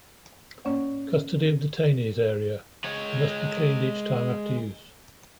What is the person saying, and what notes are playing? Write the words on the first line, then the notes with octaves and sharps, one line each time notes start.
Custody of detainees area: they must be cleaned each time after use.
A2 A#3 C#4 C#5 D5 F#5
G#3 C#5